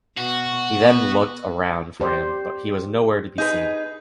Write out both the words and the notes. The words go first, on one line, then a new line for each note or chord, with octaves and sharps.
He then looked around for him but he was no where to be seen.
B2 F#4
B3
G4 C5 D5
D#4 G#4 B4